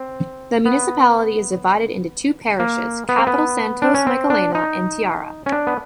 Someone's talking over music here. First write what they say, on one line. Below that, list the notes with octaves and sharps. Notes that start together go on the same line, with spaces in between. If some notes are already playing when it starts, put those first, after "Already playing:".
The municipality is divided into two parishes: Capital Santos Michelena and Tiara.
Already playing: C4
B3
A#3
B3
C4
B3
D4
C#4
C4
D4
D#4
C#4
D4
B3